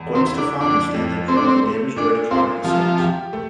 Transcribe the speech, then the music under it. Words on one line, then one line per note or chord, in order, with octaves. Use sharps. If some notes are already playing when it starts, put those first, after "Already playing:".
Gwen Stefani stands in front of a damaged red car and sings.
Already playing: E2
C4
E4
D4
F2 D4
F2
A3 C4
D4
C4
A3
A#2 D4
C4 F4
C3 F3
G4
A3